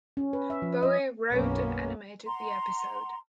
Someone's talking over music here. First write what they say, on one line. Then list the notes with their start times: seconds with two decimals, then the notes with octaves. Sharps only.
Boe wrote and animated the episode.
0.17 C#4
0.33 B4
0.50 E5
0.62 F3
0.83 D#5
1.31 B1 F#2 A#3 B3 C#4
2.26 F#5 A#5 C6